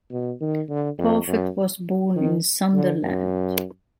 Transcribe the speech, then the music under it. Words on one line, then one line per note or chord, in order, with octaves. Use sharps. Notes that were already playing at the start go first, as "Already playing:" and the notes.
Parfitt was born in Sunderland.
B2
D#3
D3
F2
F#2
D#3
D3
F#2